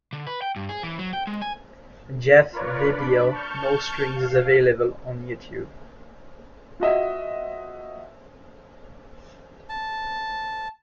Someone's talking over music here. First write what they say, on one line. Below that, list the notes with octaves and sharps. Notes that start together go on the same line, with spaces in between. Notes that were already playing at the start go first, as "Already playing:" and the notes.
Jeffs video "No Strings" is available on YouTube.
D3
B4
G5
G2
G#4
E3
F#3
G5
G#3
G#5
F4 A#4 B4 C#5 D5
D4 D5 B5
A5 C#6 F6 G6
F5
F4 F#4 D#5 E5
A5